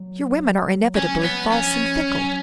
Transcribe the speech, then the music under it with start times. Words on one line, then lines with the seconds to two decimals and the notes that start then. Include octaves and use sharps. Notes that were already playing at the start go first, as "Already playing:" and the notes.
Your women are inevitably false and fickle.
Already playing: F#3
0.96 C#4
1.24 B3
1.40 F#3
1.52 F3 C#4
2.09 F#3